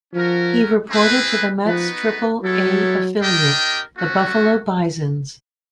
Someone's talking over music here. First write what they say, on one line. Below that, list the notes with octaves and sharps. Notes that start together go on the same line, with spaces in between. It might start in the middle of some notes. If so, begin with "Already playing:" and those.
He reported to the Mets' Triple A affiliate, the Buffalo Bisons.
F3 C#4 F#4 A#4
C4 E4 G#4 B4
F3 B3 D#4 F#4 B4
F#3 G3 B3 E4 A4 C#5
D4 G4 A#4 D#5 G5
A3 C#4 F#4